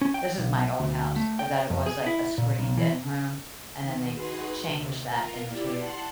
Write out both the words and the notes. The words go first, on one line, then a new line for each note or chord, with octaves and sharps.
this is my old house, that it was, like, a screened-in room, and then they changed that into,
C#4
G5
B1
D2
A3
G5
F2
G#4
E4
A#2
B1
E3
D#3
D#4 F#4 G#4 B4 C6
D#2 C3
F4 A#4
E4 G4 D5
F#5 A5 C6 F#6